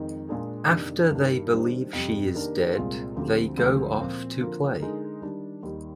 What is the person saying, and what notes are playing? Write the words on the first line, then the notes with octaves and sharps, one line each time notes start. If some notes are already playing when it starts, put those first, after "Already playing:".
After they believe she is dead they go off to play.
Already playing: F2 D#3 G#3 D#4
A#2 G#3 D4 G#4
F2 C3 D#3 A#3 D4
G2 D#3 G3 A#3 D4
D#3 G3 D4 G4 C5
F2 C3 G3
D#3 A#3 D4 G4 A#4
C2 A#2 G#3 C4 F4
D2 D3 F3 C4 G4
D2 D3 F3 G#3
A#2 F3 C4
D3 F3 A#3 F4 A#4
D3 G#3 D#4 A#4
D#3 G3 D4
D#2 D#3 G3